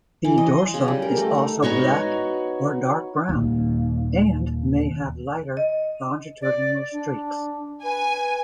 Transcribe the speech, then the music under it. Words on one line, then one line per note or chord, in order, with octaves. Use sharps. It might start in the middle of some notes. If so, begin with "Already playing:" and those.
The dorsum is also black or dark brown, and may have lighter longitudinal streaks.
E3
D#5
C6
C#3
G3
A#4
A3
D#4
B3 D#4 F#4 C#5
D#1 D#2
D#5
D5
D4
B4 G#5